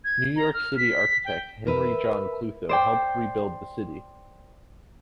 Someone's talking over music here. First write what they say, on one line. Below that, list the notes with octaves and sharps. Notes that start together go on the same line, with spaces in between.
New York City architect Henry John Klutho helped rebuild the city.
G#6
A#5
F6
B6
G5
A#4 B4 E5
C5 D5 G5